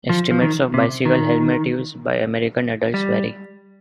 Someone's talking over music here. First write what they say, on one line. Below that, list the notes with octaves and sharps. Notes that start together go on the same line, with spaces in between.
Estimates of bicycle-helmet use by American adults vary.
F3
F3
D#3
C3
D#3
G3